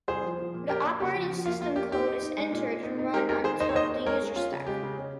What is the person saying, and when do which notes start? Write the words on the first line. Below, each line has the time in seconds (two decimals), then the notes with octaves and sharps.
The operating system code is entered and run on top of the user stack.
0.08 C2 G#4 C5
0.23 F3
0.39 F3
0.54 A#2
0.69 C#4 G4 A#4
0.84 A#3
1.00 C#3 G4
1.15 F3
1.30 F3
1.46 A#3 F4
1.61 A#3 F4
1.76 A#3 G4
1.91 D#4 G4
2.07 D#4
2.22 D#4
2.38 G#3
2.53 A#2
2.69 A#2
2.83 D#4
2.99 D#4
3.14 G#3 G4 A#4
3.29 G#3 G4 A#4
3.44 D#3 G#4 C5
3.60 D#4 C5 D#5
3.69 C#5
3.75 D#2 C5 D#5
3.91 D#4
4.05 G#3 A#4 C#5
4.21 G#3
4.36 C#4 F4
4.52 C#3
4.67 G#3 G4
4.83 C#3
4.98 C#4